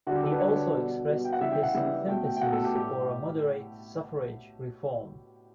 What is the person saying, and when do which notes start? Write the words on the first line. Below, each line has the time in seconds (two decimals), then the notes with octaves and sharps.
He also expressed his sympathies for a moderate suffrage reform.
0.07 D3 F#4
0.10 G3
0.15 G4
0.23 A4
0.32 B4
0.40 D3 G3 C#5
0.56 D5
0.74 B2 G3
1.07 B2 G3
1.25 G5
1.33 F#5
1.41 C#3 E3 G3 E5
1.52 G5
1.63 F#5
1.74 C#3 E3 G3 E5
2.08 B2 A3 G5
2.25 G5
2.37 G5
2.41 B2 A3 F#5
2.52 A4
2.64 G4
2.75 A2 G3 G4